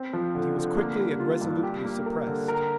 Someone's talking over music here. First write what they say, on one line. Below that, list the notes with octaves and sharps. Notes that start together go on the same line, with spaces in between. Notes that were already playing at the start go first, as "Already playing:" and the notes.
But he was quickly and resolutely suppressed.
Already playing: C4
F3
D3
D3
A#3
G3
F4
G2
G4
A#3
A#4
D3
A#4